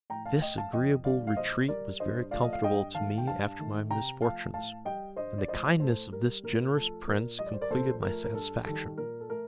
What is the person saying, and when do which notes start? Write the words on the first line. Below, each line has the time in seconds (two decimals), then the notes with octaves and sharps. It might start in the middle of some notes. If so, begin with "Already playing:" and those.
This agreeable retreat was very comfortable to me after my misfortunes, and the kindness of this generous prince completed my satisfaction.
0.10 A2 G5 A#5
0.26 F5 A5
0.41 A3 D#5 G5
0.58 F5 A5
0.73 F2 D#5 G5
1.05 D3 G3 D5 F5
1.27 F5
1.37 A#2 C5 D#5
1.68 G3 A#4 D5
2.00 G2 C5 D#5
2.31 F3 A3 D5 F5
2.43 D#5
2.53 F5
2.63 G2 D#5 G5
2.95 D#3 A3 F5 A5
3.18 G5
3.27 G2 F5 A5
3.59 D#3 A3
3.90 C3 G5 A#5
4.21 F3 A3 F5 A5
4.54 A2 F5 A5
4.85 G3 D#5 G5
5.16 G2 C5 D#5
5.38 D5
5.48 F3 A3 C5 D#5
5.80 A2 A4 C5
6.12 G3 A#4
6.43 A#2 A#4
6.75 F3 A3 A4
7.07 A#2 A#4
7.39 G3 D#5
7.47 D5
7.54 C5
7.61 A#4 D5
7.70 A#2 A4 C5
8.02 F3 A3 A#4
8.24 A#4
8.34 G2 A4
8.66 D#3 G3 A4
8.98 A#2 A#4
9.20 A4
9.30 A3 A#4